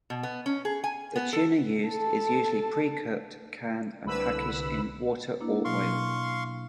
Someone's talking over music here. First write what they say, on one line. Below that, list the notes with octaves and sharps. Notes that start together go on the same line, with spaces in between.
The tuna used is usually pre-cooked, canned, and packaged in water or oil.
B2
B3
C#4
G#4
G#5
B3
A4
A4 A5
C2 D3 B4 B5 E6
A#3 D4 E4
B2 F#3 F5 C6 C#6